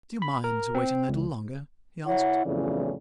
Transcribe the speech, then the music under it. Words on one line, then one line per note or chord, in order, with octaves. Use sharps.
"Do you mind waiting a little longer?" he asked.
B5
A#4
C4
C#2
E4 C#5 F#5
B1 F2 A2 C#3 E3 D5